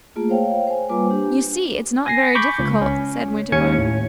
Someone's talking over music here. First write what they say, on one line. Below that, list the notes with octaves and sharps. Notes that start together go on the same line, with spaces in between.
"You see, it's not very difficult," said Winterbourne.
A3 A#3 F4 G#4
C5 C#5 F5 G5
C5 G#5
G3 A#3 F4 B4 G#5 D6
D4 G4
G#5 A#6 C7
B5 C#6 D6 G6 B6
C#2
C#4
D#2 C#4 G#5 G#6 C#7
A2